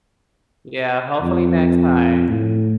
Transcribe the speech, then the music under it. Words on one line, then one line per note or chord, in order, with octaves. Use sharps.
Yeah, hopefully next time.
F2
A2